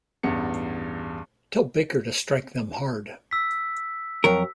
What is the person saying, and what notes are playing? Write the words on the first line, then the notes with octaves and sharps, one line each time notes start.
Tell Baker to strike them hard.
A1 E2 G2 B3 C#7
E6 B6
F2 F#3 A#4